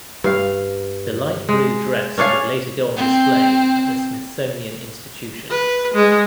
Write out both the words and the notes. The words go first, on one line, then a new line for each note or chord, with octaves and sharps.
The light blue dress would later go on display at the Smithsonian Institution.
G2 F5
G#3
C#4 D4 C#5 F5
C4
B4
G#3